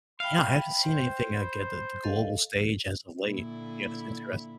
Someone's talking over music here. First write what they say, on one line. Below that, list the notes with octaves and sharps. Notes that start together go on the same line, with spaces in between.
yeah, I haven't seen anything like at the g the global stage as of late. Yeah, that's interest
E5 F5 G5 B5
C5
B5
A4 D#5 F5
A#2 D3 E4